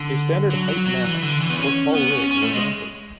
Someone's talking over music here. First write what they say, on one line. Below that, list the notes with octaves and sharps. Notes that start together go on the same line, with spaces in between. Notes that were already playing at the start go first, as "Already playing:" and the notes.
A standard height mast or tall rig was offered.
Already playing: D3
F#3
F#3
F#3
E3
D3
E3
B3
C#4
B3
C#4
C#4
A3
G#3